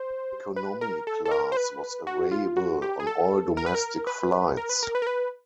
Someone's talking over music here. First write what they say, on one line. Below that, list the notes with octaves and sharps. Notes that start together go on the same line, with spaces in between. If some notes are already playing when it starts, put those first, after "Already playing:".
Economy Class was available on all domestic flights.
Already playing: C5
B4
A#4
A4
A4
A#4
C5
B4
F#4
F4
F#4
G4
G#4
A4
A#4
B4
A#4
B4
A#4
B4
A#4
B4
A#4
B4